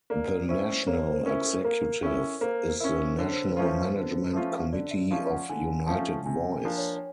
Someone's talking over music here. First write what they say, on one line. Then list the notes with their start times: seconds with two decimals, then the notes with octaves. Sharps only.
The National Executive is the national management committee of United Voice.
0.10 A#3 D5
0.48 C#4 E4 C5
0.87 A#3 C#5
1.07 C5
1.25 C#4 E4 A#4
1.46 A4
1.65 A#3 A#4
2.02 C#4 E4 A4
2.41 A#3 C5
2.80 C#4 E4 A#4
3.18 D3 C#5
3.31 C5
3.44 B4
3.57 F3 A3 C#4 F4 C5
3.95 D3
4.33 F3 A3 C#4 F4
4.73 D3 D5
4.91 E5
5.11 F3 A3 C#4 F4 F5
5.30 F#5
5.49 D3 G#5
5.87 F3 A3 C#4 F4 A5
6.26 C3 G#5
6.52 G5
6.65 F3 A#3 D4
6.77 C#5
6.95 C#5